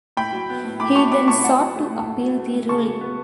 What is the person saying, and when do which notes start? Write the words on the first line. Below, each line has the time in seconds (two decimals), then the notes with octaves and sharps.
He then sought to appeal the ruling.
0.17 A2 G5 B5
0.33 F#3
0.49 B3
0.64 A2
0.80 A2 B5 D6
0.96 F#3 A5 C#6
1.11 B3 B5 D6
1.28 A2 A5 C#6
1.44 A2 F#5 A5
1.59 F#3
1.75 A3
1.90 A2
2.06 A2
2.22 F#3
2.37 A3
2.53 A2
2.69 C#3 A5 C#6
2.85 F#3
3.01 B3